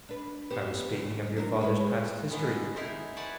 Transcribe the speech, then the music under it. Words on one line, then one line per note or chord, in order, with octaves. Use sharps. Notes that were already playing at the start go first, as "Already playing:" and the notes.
I was speaking of your father's past history.
D4 B4
B3 G4 C5
D#2 C#3
E2
F#3 D4 A#4
G#3 G#4 B4
D#3 G#3 B3
D#4 E4 G#4 A#4 C5
B4 C#5 D5 F#5 G#5 A5